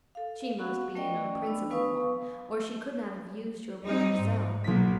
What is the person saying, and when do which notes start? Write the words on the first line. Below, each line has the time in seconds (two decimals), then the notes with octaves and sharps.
She must be an unprincipled one, or she could not have used your brother so.
0.15 A4 F5
0.59 B3 C#4 F#4 F#5
0.95 A3 C#4 A#4 D5 D#5 G5
1.46 B3 D4 E6
1.71 B3 B4 F5 G#5 C#6 D#6
3.84 G3 C4 D#4
4.19 G#2
4.64 B1 F#3 A#3 B6